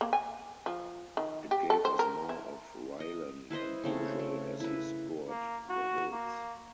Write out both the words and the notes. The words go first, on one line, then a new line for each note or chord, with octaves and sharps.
It gave us more of Raylan than usual as he scoured the hills.
A#3
G#5
F3
D#3
G4
A4
C5
A#4
E4
D#5
E4 B4 C5 D#5
C#3 A3 C4
A3
E4 B4
A#3
F#4
A#3